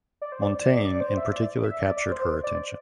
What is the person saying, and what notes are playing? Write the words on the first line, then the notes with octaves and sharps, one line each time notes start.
Montaigne in particular captured her attention.
D5
C5
D5
D5
C5
E5
D5
E5
D5
D5
C5
D5